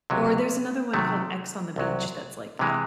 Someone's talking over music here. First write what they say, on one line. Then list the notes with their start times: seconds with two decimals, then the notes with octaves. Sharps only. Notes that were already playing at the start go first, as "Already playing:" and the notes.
Or there's another one called X on the Beach that's like that.
0.10 C#2 C3 F#3
0.93 C3 D#3 F#3 A3
1.76 C2 C3 F#3
2.59 C3 E3 G#3